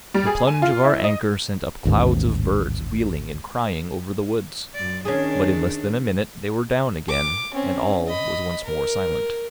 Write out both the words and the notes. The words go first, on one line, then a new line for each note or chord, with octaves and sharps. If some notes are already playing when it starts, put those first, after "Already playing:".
The plunge of our anchor sent up clouds of birds wheeling and crying over the woods, but in less than a minute they were down again and all was once more silent.
G3
G#4
G#5
F4
E4
D#5
A1 D#2 G#2
F#2 D5
D#3 C#4 D4 G#4
D6
C4 C#4
D#5 B5
A#4